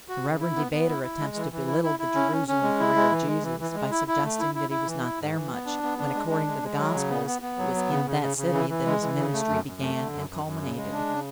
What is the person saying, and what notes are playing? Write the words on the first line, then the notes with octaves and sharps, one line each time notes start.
The Reverend debater attempts to belittle the Jerusalem career of Jesus, by suggesting that he was not there much, when according to the Gospels, it was in that city that his ministry began and culminated.
F#4
C#3
E4
B3
B3
E4
E4
G#3
E3
E3
E4
E4
E4
C#4
C#4
C#4
G#3
E4
G#3
E3
G#3
E3
E3
G#3
E4
E4
A3
E4
E4
E4
E3
E4
G#2
E3
B3
D4
B3
D4
G#3
D4
G#3
G#3
F#3
C#3
B3
B3
B3
F#3
B3
C#3
C#3
C#3
C#3
E3
E3
G#3
E3
C#3
A3
F#2
F#2
A3
D3
F#2
F#2
F#2
C#3
G#3
D4
C#3